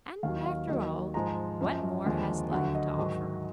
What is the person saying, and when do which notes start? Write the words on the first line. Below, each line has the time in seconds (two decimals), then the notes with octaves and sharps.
And, after all, what more has life to offer?
0.23 D#2 D#3 F#3 F5
0.46 F5
0.68 D#2 D#3 F#3 D#5
1.14 G#2 F3 G#3 A#5
1.60 F#2 F3 G#3
2.06 D#2 D3 F3 G#3
2.52 D2 D3 F#3 F#5
2.75 D#5
2.97 G#2 D#3 F#3